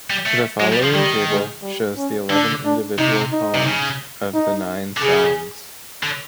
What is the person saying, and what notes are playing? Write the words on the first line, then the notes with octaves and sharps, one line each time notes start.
The following table shows the eleven individual poems of the "Nine Songs".
G3
A3
F#3 G#3
G3
F3
D#3 G3
G#3
G3
C#4
D3 D4
D4
C3 D#4
D#4
C3
C#3
D#4
D3
C#3 G#4
D3